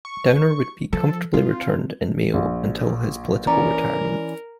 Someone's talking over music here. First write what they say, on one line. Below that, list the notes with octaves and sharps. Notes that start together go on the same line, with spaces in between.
Downer would be comfortably returned in Mayo until his political retirement.
C#6
F3 A4
C4 F4
A#1
E3 C#4 A#4 D5 A#5